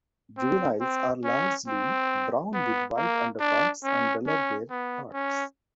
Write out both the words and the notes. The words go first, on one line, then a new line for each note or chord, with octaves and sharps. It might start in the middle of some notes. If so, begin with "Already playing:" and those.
Juveniles are largely brown with white underparts and duller bare parts.
C4
C4
C#4
C4
B3
A#3
D4
C#4
C#4
B3
C#4